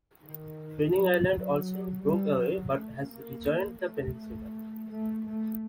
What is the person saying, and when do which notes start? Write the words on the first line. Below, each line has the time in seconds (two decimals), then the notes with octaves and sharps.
Fenning Island also broke away but has rejoined the peninsula.
0.24 D#3
0.97 F#3
1.32 F#3
2.04 G3
2.39 F#3
2.76 A3
3.11 A#3
3.83 A3
4.90 A3
5.27 A3